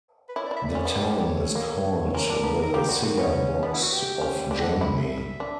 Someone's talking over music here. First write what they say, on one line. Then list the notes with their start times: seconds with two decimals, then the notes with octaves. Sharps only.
The town is called the "Cigar Box of Germany".
0.29 B4
0.36 E4 C#5
0.46 E4 D5
0.56 E5
0.66 D5
0.75 C#4
0.85 B3
0.96 G3
1.10 G3
1.25 C#5
1.55 A#3
2.14 C#4 A#4
2.30 D4
2.44 B3
2.62 A#4
2.74 A#3 G4
2.89 G3 F#4
3.03 A#3 F#4
3.17 B3 C#4
3.63 B3 D4
3.73 E4
3.82 F#4
3.92 G4
4.21 C#4
4.51 D4 G4
4.61 F#5
4.81 E4 E5
5.40 D4